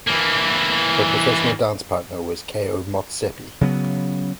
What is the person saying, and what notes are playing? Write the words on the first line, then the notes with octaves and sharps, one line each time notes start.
Her professional dance partner was Keo Motsepe.
E3 A#3
C#3 F#3 B3